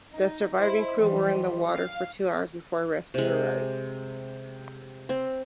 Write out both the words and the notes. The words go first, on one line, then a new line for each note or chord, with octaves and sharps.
The surviving crew were in the water for two hours before rescue arrived.
D#4
E4 C5 D#5 C6
E3 F#3 G3
F5
C3 G#3
C4